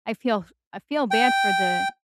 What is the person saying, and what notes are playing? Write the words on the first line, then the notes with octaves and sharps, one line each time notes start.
I feel I feel bad for the
G5